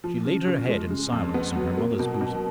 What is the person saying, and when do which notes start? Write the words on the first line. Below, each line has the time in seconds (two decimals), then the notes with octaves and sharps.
She laid her head in silence on her mother's bosom.
0.04 F3
0.25 C#3
0.47 C#3
0.69 G#3
0.90 C#3
1.12 F2
1.34 B3
1.56 F#3
1.77 A#3
1.99 B2
2.21 B2